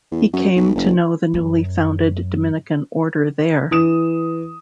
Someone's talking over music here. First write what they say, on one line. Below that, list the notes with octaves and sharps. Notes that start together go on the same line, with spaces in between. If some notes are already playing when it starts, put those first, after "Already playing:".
He came to know the newly founded Dominican Order there.
E2
F#2
B1
F#1
F#2
E3 D#6 E7